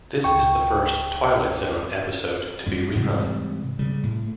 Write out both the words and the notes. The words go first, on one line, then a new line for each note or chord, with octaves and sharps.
This is the first "Twilight Zone" episode to be rerun.
C#2 G5 C#6
F#2 G3
G#2 C3 E3 G3
C#3 G3
A2